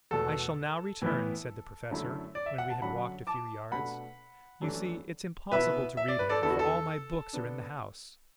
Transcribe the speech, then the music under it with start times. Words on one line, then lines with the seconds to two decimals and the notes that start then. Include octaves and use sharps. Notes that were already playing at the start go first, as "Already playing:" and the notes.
"I shall now return," said the Professor, when we had walked a few yards: "you see, it's impossible to read here, for all my books are in the house."
0.11 E2 B2 A3 A4
1.02 A2 E3 B3 E4
1.91 F#2 D3 A3 E4
2.35 D5
2.46 E5
2.58 F#5
2.70 A5
2.82 F#2 D3 F#3 D4 F#5 B5
3.27 A5 D6
3.72 B2 A3 D4 F#5 B5
4.61 F#2 E3 A3 D4
5.52 B2 B3 E4 B4 E5
5.97 E5
6.08 D5
6.19 B4
6.29 A4 D5
6.42 E2 D3 B3 E4 A4
6.50 F#4
6.59 A4
7.33 D3 B3 D4